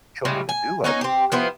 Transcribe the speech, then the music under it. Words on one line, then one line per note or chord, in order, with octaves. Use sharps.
children would do, I'd
A2 C#3 G3 G#3
G#5
B3 C#4 D#4 G#5
C4 G4
F3 B3 E4 C5